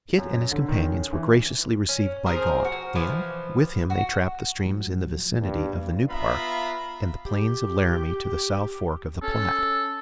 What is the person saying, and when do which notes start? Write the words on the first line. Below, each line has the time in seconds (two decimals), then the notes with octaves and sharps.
Kit and his companions were graciously received by Gaunt; and, with him they trapped the streams in the vicinity of the New Park and the plains of Laramie to the South fork of the Platte.
0.18 F#2
0.51 D3
0.68 D#3
0.82 C#4
1.13 E3
1.89 C#4
2.26 F3 C4 G#4 A#4
2.65 F#4
2.96 E3 F3
3.90 F#4
4.65 A2 F3 F#3
5.41 G1 G2 A#3 D4
6.09 B3 F4 E5 F5 A#5 B5
7.26 G4
9.22 C#4 A4